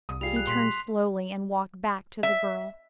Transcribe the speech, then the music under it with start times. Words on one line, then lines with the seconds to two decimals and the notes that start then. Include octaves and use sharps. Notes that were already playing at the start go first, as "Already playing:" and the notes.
He turned slowly and walked back to the girl.
0.09 C2 D#6
0.21 G3 F4 G#4 C7 F7
0.36 F#6 F7
0.47 A#2 C6 B6 F7
2.23 E5